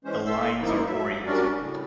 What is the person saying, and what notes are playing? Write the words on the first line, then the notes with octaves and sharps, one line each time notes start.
The lines are oriented.
E3 G#3 C#4 C5
A4 E5 C6 E6
F#2 F3 A#3 D#4 E4
F#3 E5
G3 C#4 D4 F#4 A#4 D5
A2 C#3